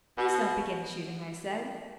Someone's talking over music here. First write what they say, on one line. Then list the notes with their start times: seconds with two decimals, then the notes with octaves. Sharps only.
'Please don't begin shooting,' I said.
0.18 B2
1.49 A2